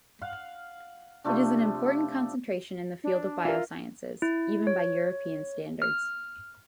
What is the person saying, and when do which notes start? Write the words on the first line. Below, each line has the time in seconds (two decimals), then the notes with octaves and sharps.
It is an important concentration in the field of biosciences, even by European standards.
0.22 F5 F#5
1.24 C3 F3 A3 D4
3.04 D4
3.45 F4 A#4 E5
4.22 E4
4.67 C#5
5.82 F6